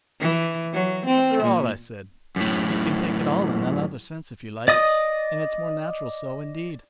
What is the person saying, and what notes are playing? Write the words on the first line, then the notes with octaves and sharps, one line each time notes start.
After all, I said, you can take it all in another sense if you like, and it's more natural so, indeed.
E3
F#3
C4
A#2
F#2 A2
D5 D#5 D#6